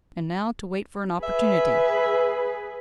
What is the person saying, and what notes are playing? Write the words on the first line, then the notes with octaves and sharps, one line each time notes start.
And now to wait for an opportunity!
G#4 B4 E5